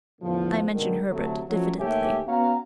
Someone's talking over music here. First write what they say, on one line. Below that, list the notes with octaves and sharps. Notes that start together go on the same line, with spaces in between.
I mentioned Herbert diffidently.
E2 A2 D3 F3
G#2 B2 D3 D#3
D2 C3 F#3 A3
F3 F#3 A3 C#4 F#4
D#2 A3 G4 C#5 E5 G#5
B3 C#4 F#4 F5 F#5 A#5